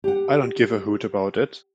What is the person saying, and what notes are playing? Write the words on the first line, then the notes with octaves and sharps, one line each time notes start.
I don't give a hoot about it.
G4 F#5